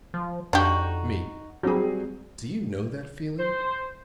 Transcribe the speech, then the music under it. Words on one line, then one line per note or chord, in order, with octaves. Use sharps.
ME: Do you know that feeling?
F3
F2 D4 D#4 F#4 G4
F#3 G3 C4 G#4
C5